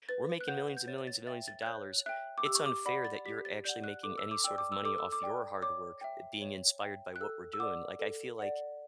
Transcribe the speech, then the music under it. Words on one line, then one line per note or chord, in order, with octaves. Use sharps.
we're making millions and millions and millions of dollars, it's unfair that you're actually making any sort of money off your hard work, uh, being inspired by what we're doing, like, I feel like
B4 A6
F#6
F#5 G6
G6
C#5 A6
A6
E5 G5 A6
A6
F#6
C#5 G6
E5 G5 F#6
D6
G4 E6
C#6
D6
D5 F#5 B5
A6
G4 B6
A6
D5 F#5 G6
F#6
A4 D6
E6
D6
D5 G5 E6
D6
E6
A4 D6
E6
D6
D5 G5
C#5 D6
E5 G5
C#5
E5 G5
F#6
A4 E6
E6
D5 F#5 D6
A4
D5 F#5